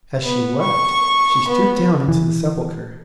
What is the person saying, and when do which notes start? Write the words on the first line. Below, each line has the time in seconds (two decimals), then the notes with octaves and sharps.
As she wept, she stooped down into the sepulchre.
0.23 B3
0.61 C#6
1.48 B3
2.08 E3